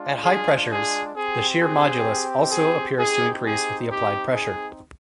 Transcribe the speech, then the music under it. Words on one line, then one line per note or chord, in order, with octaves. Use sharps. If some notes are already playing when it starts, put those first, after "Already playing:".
At high pressures, the shear modulus also appears to increase with the applied pressure.
Already playing: G#3 D4 F4
G#4
G#4
C4 G4 G#4
G#4
G#4
C4 D#4 G4 G#4
G#4
G4
G#4